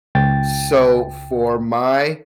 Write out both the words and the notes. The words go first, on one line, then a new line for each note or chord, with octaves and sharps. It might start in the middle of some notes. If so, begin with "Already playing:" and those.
so for my,
C#2 G5 A6